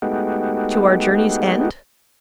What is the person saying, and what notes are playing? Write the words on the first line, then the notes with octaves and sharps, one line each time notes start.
"To our journey's end?"
G#3 A3 B3 D#4 F#4 G4